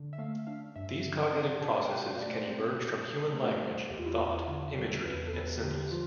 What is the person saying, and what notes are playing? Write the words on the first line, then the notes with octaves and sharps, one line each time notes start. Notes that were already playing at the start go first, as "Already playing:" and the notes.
These cognitive processes can emerge from human language, thought, imagery, and symbols.
Already playing: D3
E5
A3 F5
D4 F5
G2 E5
D3
C4 D5
B2 A5
G5
B2 F5
F5
A3 D5
C5
C4
B2
B2
A3
G3 C5
E2 G4
F4
E4
F4
E2
D3
G3 A4
E2 B4
A4
E2 B4
D3 G4
F3 F4